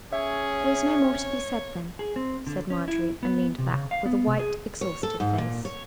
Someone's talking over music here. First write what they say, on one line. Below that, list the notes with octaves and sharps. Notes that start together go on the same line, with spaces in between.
"There is no more to be said, then," said Marjorie, and leaned back, with a white, exhausted face.
C#4 G#4 C#5 E5
G#4
C4
D3
C#4
E4
B3
C3
C#3
F5
B3
C3
G#4
C#5
A4
G#2
A#2
C#5